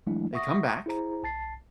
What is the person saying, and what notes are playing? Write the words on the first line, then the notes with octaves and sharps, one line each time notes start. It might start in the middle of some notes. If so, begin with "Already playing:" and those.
they come back,
E3 F#3 G#3 A3 D4 E4
E5 F#5 C#6 D#6 A#6
E4 G#4 C5 A#5
B1 A5 A6 C7